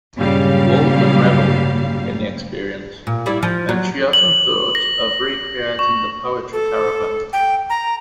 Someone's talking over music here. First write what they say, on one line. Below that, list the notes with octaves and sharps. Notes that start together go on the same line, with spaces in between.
Waldman reveled in the experience, and she often thought of recreating the poetry caravan.
G2 A#2 C#3 F#3 G3 F5
A#2
G3 E4 D5
F3
F#3
F#7
A#6
C#6
A4
G5
A#5